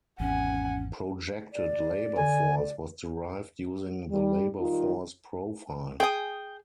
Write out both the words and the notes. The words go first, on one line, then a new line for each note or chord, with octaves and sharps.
Projected labor Force was derived using the Labor Force Profile.
G#1 E2 C#4 F#5 G#5
D5
D3 G#5
G3
D#3 G3 D#4 F4
G#4 G5 G#5 D#6